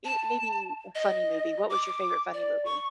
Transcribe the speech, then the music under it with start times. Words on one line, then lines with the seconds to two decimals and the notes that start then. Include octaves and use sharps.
e maybe a funny movie, what was your favorite funny movie?
0.05 A5
0.95 D#5
1.70 D6
2.34 D5
2.65 C#6